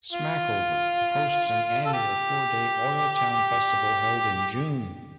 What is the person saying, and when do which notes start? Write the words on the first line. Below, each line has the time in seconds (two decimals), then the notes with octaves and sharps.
Smackover hosts an annual four-day Oil Town Festival held in June.
0.13 F4
1.85 A4
1.94 G4